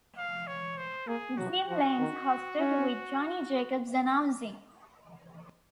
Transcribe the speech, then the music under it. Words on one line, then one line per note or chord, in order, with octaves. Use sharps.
Jim Lange hosted, with Johnny Jacobs announcing.
F5
C#5
C5
A#3 G#4
F#3 F#4
F3 F#4
D#3
C#4